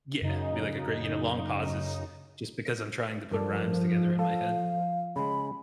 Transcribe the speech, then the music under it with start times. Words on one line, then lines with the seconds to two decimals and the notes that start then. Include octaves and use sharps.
Yeah, be like a great you know, long pauses just because I'm trying to put rhymes together in my head.
0.21 F#2 C#3 D#4
3.31 G2 F3 A4 A#4 D5
4.19 A4 F5
5.16 C#3 G#3 B5